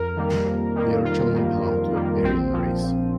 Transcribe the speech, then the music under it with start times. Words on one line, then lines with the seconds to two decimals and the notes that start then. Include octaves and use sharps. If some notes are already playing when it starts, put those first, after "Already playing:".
They originally belong to Aryan Race.
Already playing: F2 A#4
0.16 D#3 G3 A#3
0.45 F2
0.75 D#3 G3 A#3
1.04 F2 F4
1.34 D#3 G3 A#3
1.64 F2
1.93 D#3 G3 A#3
2.22 A#1 C4
2.53 A#2 F3
2.82 A#1